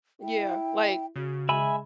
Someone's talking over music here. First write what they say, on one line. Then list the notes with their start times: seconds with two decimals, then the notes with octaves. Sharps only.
Yeah, like
0.21 E4 G5
1.16 C#3 F#4
1.49 G#3 E5 G#5 B5